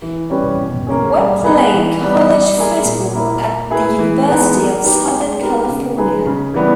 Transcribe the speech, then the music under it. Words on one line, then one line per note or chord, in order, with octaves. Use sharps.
Webb played college football at the University of Southern California.
E3
G3 C#4 G4 B4
B2
A#3 C#4 G#4
G3
B3 D#4 G#4 B4
E3
G3 B3
G3
A#3 E4 G#4
A#2
A#3 E4 A#4
A#3
E4 G#4 B4
E3
G#3 B3 D#4
A#3
D#4 G4 B4
G#3
B3 D#4 G4 A#4
C#3
G#3 D#4 G#4 B4
C#3
E3 G3 B3